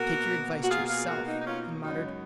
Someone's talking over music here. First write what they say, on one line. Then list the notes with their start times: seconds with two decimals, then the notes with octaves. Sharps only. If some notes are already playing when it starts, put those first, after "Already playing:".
"Take your advice to yourself," he muttered.
Already playing: B2 A#3 F#4 A#4
0.63 F#4
0.71 F4 G#4
0.89 F4 G#4
1.08 F#4 A#4
1.28 D#4
1.41 D#4
1.46 C#4 F4
1.83 F#2 C#3 G#3 B3 D#4 F#4
2.04 C#4